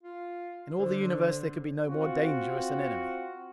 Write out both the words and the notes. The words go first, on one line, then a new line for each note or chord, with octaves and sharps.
In all the universe there could be no more dangerous an enemy.
F4
D3 C5
C4 F4 F#4